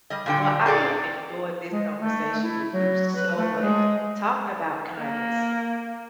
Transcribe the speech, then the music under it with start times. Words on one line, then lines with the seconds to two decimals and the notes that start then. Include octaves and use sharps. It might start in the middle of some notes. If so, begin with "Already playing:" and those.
Well, I have enjoyed this conversation with you so much, talking about kindness.
0.10 G3 D#5
0.26 A#2 D3 G5
0.66 G#4 A4 D5
1.71 G#3
1.99 A3
2.43 E4
2.72 F#3
3.15 B4
3.36 A3
3.61 G#3
4.98 A#3